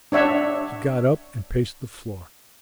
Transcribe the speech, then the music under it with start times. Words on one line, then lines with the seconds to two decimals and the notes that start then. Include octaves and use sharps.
He got up and paced the floor.
0.12 D4 C#5 E5 F#5